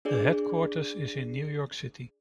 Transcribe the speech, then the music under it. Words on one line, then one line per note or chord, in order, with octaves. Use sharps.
The headquarters is in New York City.
D4 G#4 D5